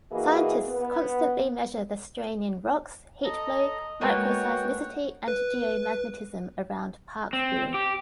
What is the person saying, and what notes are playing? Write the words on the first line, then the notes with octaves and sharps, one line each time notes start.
Scientists constantly measure the strain in rocks, heat flow, microseismicity, and geomagnetism around Parkfield.
E3 A#3 E4 F#4 G#4 D#5
B3
A4 D#5 A#5
G#3 A#3 B3 F#4 C#5 F#5 G5
B4
C4
G4